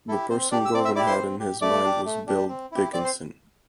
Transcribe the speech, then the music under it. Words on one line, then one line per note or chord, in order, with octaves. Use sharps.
The person Govan had in mind was Bill Dickinson.
E4 G4 A4
C4 C5
D4 G4 D5
E6
C4 D5 D6
E5 E6
E4 G4 D5 D6
C5 C6
C4
G4
A3 D5 D6
D4 G4
A3
D4 G4
C4
E4 G4
C4 D5 D6
C5 C6